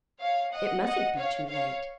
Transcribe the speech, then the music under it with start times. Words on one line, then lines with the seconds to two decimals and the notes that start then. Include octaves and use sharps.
It mustn't be too late!
0.20 C#5 F5
0.53 D#5 F#5
0.84 D#5 F#5
1.17 C#5 F5
1.49 C#5 F5